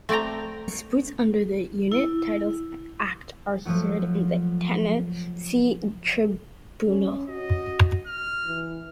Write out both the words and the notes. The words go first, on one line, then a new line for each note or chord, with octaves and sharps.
Disputes under the Unit Titles Act are heard in the Tenancy Tribunal.
A3 C4 D5 G5 A#5
E4
F3 F#3 A3 F#4
C#4
F#4 D#5
F6
E3